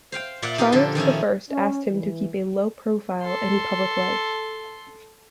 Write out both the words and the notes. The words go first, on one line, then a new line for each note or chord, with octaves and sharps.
Charles the First asked him to keep a low profile in public life.
C5 F5 G5
A#2 F4 D5 E5 F#5
D#4 F4 G4 A4 B4
A#2 D3 F3 D4 A4
D#3 F3 C#4 E4
C#4
E3
A4 C6